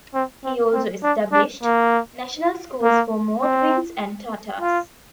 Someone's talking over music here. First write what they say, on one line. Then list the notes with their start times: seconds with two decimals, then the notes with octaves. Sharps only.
He also established national schools for Mordvins and Tatars.
0.14 C4
0.44 C4
0.73 C4
1.03 D4
1.33 D4
1.63 A#3
2.83 A#3
3.42 C4
4.61 F4